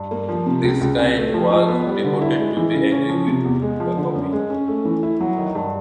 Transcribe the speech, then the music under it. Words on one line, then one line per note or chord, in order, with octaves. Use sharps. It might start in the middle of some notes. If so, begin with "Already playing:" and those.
Libeskind was reported to be angry with the copying.
Already playing: G2
A#3
F3
C3
C#2
C#2
C4
A3
F3
F3
B3
G3
D3
E4
G#3
E3
C#3
C#4
F3
C3
E2
G#3
F3
D3
F#2
G#3
C#4
A3
E3
E4
F#3
D#3
G2